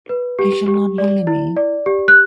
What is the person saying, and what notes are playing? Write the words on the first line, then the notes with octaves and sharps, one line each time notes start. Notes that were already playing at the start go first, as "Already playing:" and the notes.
He shall not bully me.
B4
G4
G4
D5
E4
D5
G4
F#6